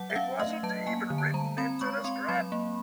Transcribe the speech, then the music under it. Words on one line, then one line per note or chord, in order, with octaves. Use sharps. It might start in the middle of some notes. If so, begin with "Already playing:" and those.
It wasn't even written into the scrip.
Already playing: F#3 F#5
E5
C#4 F5
A3 D#5
F#3 A5
A#3 G#5
D3
A5
G3 A#5
C4 B5
G#3 C#6
C4 C6
F#3 B5
A#3